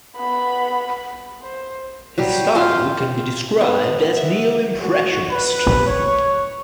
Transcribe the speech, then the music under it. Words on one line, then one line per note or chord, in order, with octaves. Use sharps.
His style can be described as neo-impressionist.
B3 B5
C5
F#3 G3 G4
F4 G5 C6
B3
E5
F#4
B4
C#5